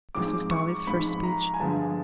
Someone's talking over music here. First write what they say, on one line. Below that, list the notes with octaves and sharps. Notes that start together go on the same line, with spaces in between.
This was Dolly's first speech.
G#2 F3 G#3 C4 D6
C#6
G#2 F3 G#3 C4 B5
A#5
G#5
G2 D3 F3 G#3 B3 A5